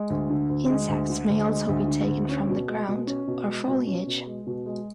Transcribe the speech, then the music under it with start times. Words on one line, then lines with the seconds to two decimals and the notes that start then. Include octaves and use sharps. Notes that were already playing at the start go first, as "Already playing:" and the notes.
Insects may also be taken from the ground or foliage.
Already playing: G#3
0.10 D2
0.30 D3
0.50 D2
0.69 G#3
0.89 D2
1.10 D3
1.29 D2
1.49 G#3
1.69 D2
1.88 D3
2.08 D2
2.29 C#4
2.49 B2
2.68 G#3
2.88 B2
3.07 C#4
3.27 B2
3.47 G#3
3.68 B2
3.87 C#4
4.06 B2
4.26 G#3
4.47 B2
4.66 G#3